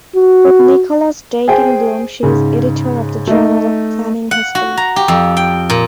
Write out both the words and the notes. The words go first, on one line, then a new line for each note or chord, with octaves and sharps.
With Nicholas Dagen Bloom she is editor of the Journal of Planning History.
F#4
G#4 C5 G5
G#2 C#3
A3 D#4
F#5
F#4
A#5
G4
F2
G5
A#2